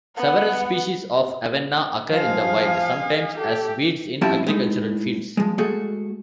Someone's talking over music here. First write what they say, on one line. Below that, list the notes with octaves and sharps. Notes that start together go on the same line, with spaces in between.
Several species of "Avena" occur in the wild, sometimes as weeds in agricultural fields.
B3 F#5
F3 G#4 F5
G4 A4
F3 C4 C#4 E4 G4 A5
A2 G#3 D#4
F3 G#3
G#3 A3 F#4 G#4 A4